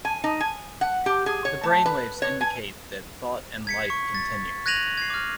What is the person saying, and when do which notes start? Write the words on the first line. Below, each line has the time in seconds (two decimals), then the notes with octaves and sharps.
The brainwaves indicate that thought-and life-continue.
0.05 G#5
0.24 D#4
0.41 G#5
0.81 F#5
1.06 G4
1.26 G#4
1.45 C#5
1.63 A3
1.86 B4
2.22 C#5
2.41 G#5
3.67 G#6 B6 C#7
3.90 C#6
4.15 A6
4.66 F#6 G#6 A#6 D#7 F7 F#7
4.98 G#6 C7
5.10 D6 F6